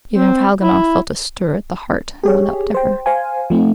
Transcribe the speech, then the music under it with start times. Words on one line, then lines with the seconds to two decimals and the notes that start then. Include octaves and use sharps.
Even Kalganov felt a stir at the heart and went up to her.
0.14 C4
0.62 E4
2.24 G4 G#4 C#5
2.74 C5 G5
3.06 C5 F5 G#5
3.50 F3 A3 C4 D#4